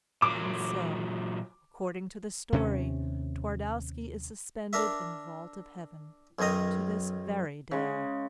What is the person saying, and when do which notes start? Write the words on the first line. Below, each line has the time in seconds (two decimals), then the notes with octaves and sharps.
And so, according to the story, Twardowski is suspended in the vault of heaven to this very day.
0.22 A#2 F#3 D6
2.53 D#2 C3 C4 C#4
4.73 D4 A#4 D5 E5
6.39 B1 F#2 D#3 A#4 D#5
7.71 C#3 G#3